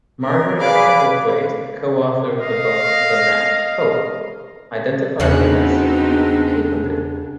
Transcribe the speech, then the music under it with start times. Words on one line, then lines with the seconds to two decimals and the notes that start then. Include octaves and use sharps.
Margaret Hebblethwaite, co-author of the book "The Next Pope", identified him as "papabile".
0.23 A#4
0.59 G#4 B4 D5 F5 D6
2.40 D#5 F5
5.20 E2 C#3 B3 C4 D4 D#4 F#4